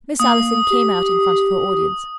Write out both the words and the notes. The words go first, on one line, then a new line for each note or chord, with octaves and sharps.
Miss Allison came out in front of her audience.
A#3 D#6
G4